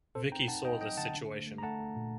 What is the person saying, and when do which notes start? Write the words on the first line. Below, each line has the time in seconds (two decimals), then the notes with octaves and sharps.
Vicky saw this situation.
0.15 C4 A4 C5
0.32 D#4 G5 A#5
0.48 D#4 F#5 A5
0.65 D#4 D#5 G5
0.81 F#3 D#5 G5
0.97 D3 F#5 A5
1.14 D4
1.30 A3
1.47 A3
1.58 A#5
1.63 A3 F#5 A5
1.80 A3
1.96 A#2